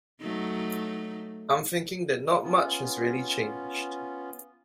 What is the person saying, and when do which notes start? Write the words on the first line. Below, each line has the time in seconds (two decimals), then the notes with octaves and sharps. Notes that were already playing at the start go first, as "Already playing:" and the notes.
I'm thinking that not much has really changed.
0.21 F#3 A3 D#4
2.44 B3 C#4 F4